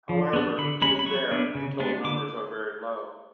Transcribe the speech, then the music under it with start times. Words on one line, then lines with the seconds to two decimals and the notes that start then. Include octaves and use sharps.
However, even there, the total numbers are very low.
0.09 F3
0.33 B3 D4
0.58 D3 B5
0.82 G#3 C#4 B5
0.99 B5
1.06 F#3 C#6
1.31 B3 D4
1.55 C#3
1.80 G#3 B3 D4
2.04 D3 D6